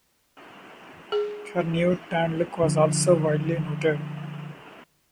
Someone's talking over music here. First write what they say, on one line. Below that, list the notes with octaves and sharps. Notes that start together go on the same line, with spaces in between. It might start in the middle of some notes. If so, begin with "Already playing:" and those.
Her new, tanned look was also widely noted.
G#4
D3 F3